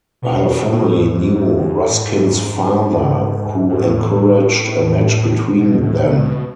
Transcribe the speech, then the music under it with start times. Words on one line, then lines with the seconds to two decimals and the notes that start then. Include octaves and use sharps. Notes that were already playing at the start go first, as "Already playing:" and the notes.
Her family knew Ruskin's father, who encouraged a match between them.
0.22 B2
0.67 A2
1.12 G#2
1.57 F#2
1.89 A2
2.02 G#2
3.69 G#2
3.79 A2
5.58 B2
5.81 A2
6.03 B2
6.18 A2
6.25 B2